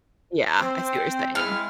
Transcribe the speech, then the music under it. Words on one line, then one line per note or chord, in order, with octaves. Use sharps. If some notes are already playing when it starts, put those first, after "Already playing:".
Yeah, I see what you're saying.
C4
G#3 E4 F6